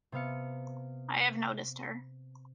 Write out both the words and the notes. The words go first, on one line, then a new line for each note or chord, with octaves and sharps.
I have noticed her.
C3 B3 F5 C#7